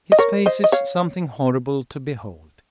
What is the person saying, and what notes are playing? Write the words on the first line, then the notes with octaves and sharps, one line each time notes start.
His face is something horrible to behold.
D#5
A#4 C#5
C5 D#5
D#5
C#5 F5